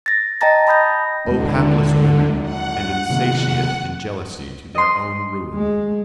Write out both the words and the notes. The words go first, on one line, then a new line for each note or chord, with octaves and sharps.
O hapless women, and insatiate in jealousy to their own ruin!
A6 A#6
D#5 G5 A5 A#5 A6 A#6
A5 B5 D#6 G6 A#6
D#2 D3 G#3
F#5
C3 D#3 A#3
D#5 C6
G#3